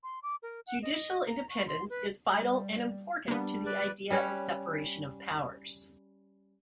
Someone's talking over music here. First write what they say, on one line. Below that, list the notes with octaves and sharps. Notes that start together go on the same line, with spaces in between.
Judicial Independence is vital and important to the idea of separation of powers.
C6
D6
A#4
F#5
D#5
A#5
C#6
C6
B4
G3
G3 A#3 B3 D4
B4 D5
G3 C#4 B4 C#5